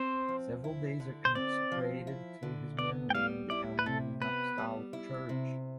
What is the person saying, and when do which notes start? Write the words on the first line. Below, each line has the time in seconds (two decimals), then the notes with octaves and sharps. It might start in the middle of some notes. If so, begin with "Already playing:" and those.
Several days are consecrated to his memory in the Armenian Apostolic Church.
Already playing: C4 C5
0.28 F3
0.64 E4
1.00 D3
1.25 C5
1.35 C4 D5
1.72 F3
2.07 E4
2.43 D3
2.78 B3 D5
3.10 G5
3.14 G3 F5
3.50 E4 D5
3.79 B4
3.86 C3 A4
4.21 B3 B4
4.58 G3
4.93 E4
5.29 C3